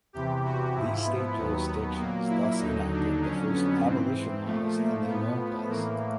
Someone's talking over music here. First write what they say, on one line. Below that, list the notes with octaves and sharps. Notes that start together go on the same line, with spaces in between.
These state jurisdictions thus enacted the first abolition laws in the Americas.
E2 C3 E3 G4
F#4
G#2 F3 E4
B3
D#2 D#3 F#3 B3
B3
A#2 F#3 A#3
E4
D#2 D3 F#3 D#4
D4
F2 D3 F#3 C#4
B3
G#2 E3 C4
C4
A#2 F3 A3
A#3
A2 F3 B3
A2 E3 A#3